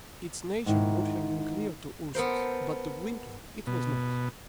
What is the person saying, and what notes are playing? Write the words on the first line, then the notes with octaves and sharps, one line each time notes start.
Its nature would have been clear to Ursus; but to Gwynplaine it was not.
G#2 D#3 E4
B3 A4 A#4 C5
B2